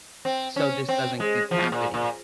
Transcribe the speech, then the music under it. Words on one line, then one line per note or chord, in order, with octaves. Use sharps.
so this doesn't keep happening,
C4
C#4
C4
G#3
F3
A#2
A#2